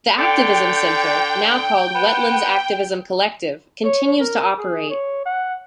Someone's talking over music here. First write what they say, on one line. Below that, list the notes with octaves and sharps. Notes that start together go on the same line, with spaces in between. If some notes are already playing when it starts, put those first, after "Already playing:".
The Activism Center, now called Wetlands Activism Collective, continues to operate.
D3 G5
B3
C#5
A#4
G#4
C#5
F#5